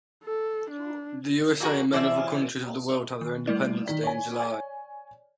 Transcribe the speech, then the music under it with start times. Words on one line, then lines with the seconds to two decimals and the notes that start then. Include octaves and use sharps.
The USA and many other countries of the world have their independence day in July.
0.24 A4
0.71 D4
1.60 F2 A#3 C4 F#4 G#4 A#4
1.92 B2 E3 C5 D5 E5
3.21 D#3
3.47 G3 A3 E4 D5
3.88 D#3 D5 B6
4.03 C#5 G#5